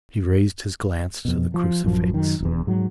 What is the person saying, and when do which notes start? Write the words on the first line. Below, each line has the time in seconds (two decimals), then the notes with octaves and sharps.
He raised his glance to the crucifix.
1.25 F2 B2
1.54 F3
1.84 A1 F#2 F3
2.14 F#2 D#3
2.40 E1 A1 E2
2.67 G#2 F#3